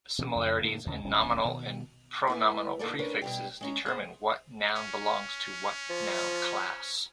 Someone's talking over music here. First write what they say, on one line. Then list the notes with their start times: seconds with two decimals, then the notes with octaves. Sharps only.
Similarities in nominal and pronominal prefixes determine what noun belongs to what noun class.
0.18 B2 E3 C#4
0.35 F2 C#3
0.60 A2 D3 A#3
0.86 D#2 C#3
1.04 D1 C2 F3 C#4
1.45 B2 D#3
2.27 A3 E4 B4
2.79 A#2 D3 D#4 A4 A#4 D5
2.99 C#4 D4 A#4 B4
3.22 B2 G3 G4
3.61 G#3 C#4 A#5
3.86 G#4 C5
4.76 C#4
5.89 F3